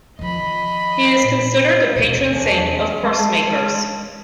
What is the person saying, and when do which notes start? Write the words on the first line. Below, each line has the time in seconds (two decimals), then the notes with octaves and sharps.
He is considered the patron saint of pursemakers.
0.19 D#3 F3 D#5 B5
1.22 A#2
1.96 D2 B2
2.32 E2 E3 D4 G#4
3.04 G#3 A5 C6